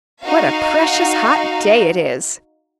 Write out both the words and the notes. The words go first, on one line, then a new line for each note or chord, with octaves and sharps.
"What a precious hot day it is!"
D#4 F#4 F5